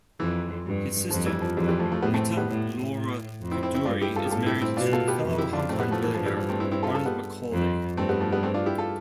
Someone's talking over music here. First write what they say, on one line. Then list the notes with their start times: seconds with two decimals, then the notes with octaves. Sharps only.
His sister Rita Laura Kadoorie is married to fellow Hong Kong billionaire Ronald McAulay.
0.20 F2 E3
0.66 G2
1.11 F2 F3
1.26 E3 G3
1.42 F3
1.57 F2 E3 G3
1.68 E3 G3
1.79 F3 A3
1.92 F3 A3
2.02 A2 G3 B3
2.14 A3 C4
2.37 G3 B3
2.49 A2
2.94 A2
3.41 F2
3.51 C4 E4
3.63 C4 E4
3.75 C4 E4
3.85 G2 D4 F4
4.01 E4 G4
4.16 F4 A4
4.25 G4
4.31 A2 F4 A4
4.46 E4 G4
4.61 C4 E4
4.77 B2 D4 F4
4.93 F4 A4
5.08 G4 B4
5.23 F2
5.38 E4 G4
5.53 D4 F4
5.69 A2 A3 C4
5.80 G3 B3
5.91 F3 A3
6.03 E3
6.14 G2 F3
6.26 E3 G3
6.37 F3
6.49 A3 C4
6.60 C4 E4
6.72 C4 E4
6.83 F4 A4
6.94 F4 A4
7.06 G3 B3
7.52 F2
7.97 G2 A3 C4
8.09 G3 B3
8.20 F3 A3
8.32 G3 B3
8.43 A3 C4
8.54 D4 F4
8.66 E4 G4
8.78 F4 A4